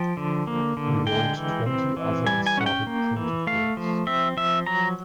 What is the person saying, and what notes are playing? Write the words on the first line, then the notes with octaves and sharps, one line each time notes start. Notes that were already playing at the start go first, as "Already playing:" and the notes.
He wrote twenty other assorted printed works.
Already playing: F3 G5
D3
A#3
D3
G#3 G5
E3
C4
E3
G3 G#5
G#5
C#4 F#5
G5
A#3
E3
A3 F5
F3
C4 E5
F3 E5
F#3 A#5